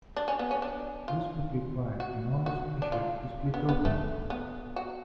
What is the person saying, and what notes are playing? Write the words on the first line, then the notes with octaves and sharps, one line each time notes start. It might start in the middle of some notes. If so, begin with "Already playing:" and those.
This would require enormous pressure to split open.
D4
C#4
B3
C#4
D4
F4
F#4
F#4
D4
F4
B3
B3
A3
B3
F#4